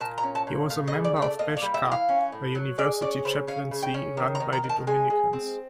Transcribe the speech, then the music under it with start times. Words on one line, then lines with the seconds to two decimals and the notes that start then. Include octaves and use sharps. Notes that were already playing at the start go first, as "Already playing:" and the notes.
He was a member of Beczka, a university chaplaincy run by the Dominicans.
0.01 A#2 A5
0.18 A#5
0.23 C#4
0.35 A5
0.47 A#2
0.70 A3 F5
0.88 D#5
0.93 C#3
1.05 D5
1.16 A3
1.22 D5
1.39 A#3 D#5
1.57 D5
1.62 G3
1.74 E5
1.86 E3
1.92 F5
2.09 C#4
2.32 A2
2.55 F#3
2.78 G#3 D5
3.01 C#4 D5
3.25 C#3 C5
3.47 C#4 F5
3.71 C#3
3.82 G5
3.94 C#4
4.17 D#3
4.35 A#5
4.40 D#3
4.53 A#5
4.64 D#3
4.69 A5
4.87 G#3 G#5
5.10 G#3
5.33 C4